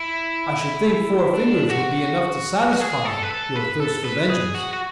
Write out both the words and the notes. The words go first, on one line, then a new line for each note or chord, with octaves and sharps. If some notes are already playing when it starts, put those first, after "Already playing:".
I should think four fingers would be enough to satisfy your thirst for vengeance.
Already playing: E4
D4
F#4
F#4
G#4
A4
B4
A4
B4
A4
B4
G#4
F#4
F#4